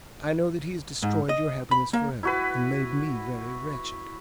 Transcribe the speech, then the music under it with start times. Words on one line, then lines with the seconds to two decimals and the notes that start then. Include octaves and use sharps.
"I know that he has destroyed your happiness for ever, and made me very wretched."
1.03 G#2
1.29 D#5
1.71 B5
1.93 A#3
2.23 E4 F#4 B4